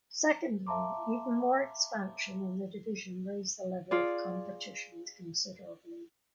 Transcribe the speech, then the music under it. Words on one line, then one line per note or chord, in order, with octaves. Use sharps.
Secondly, even more expansion in the division raised the level of competition considerably.
E5 F5 A5 A#5 C6 D6
F4 G#4 D5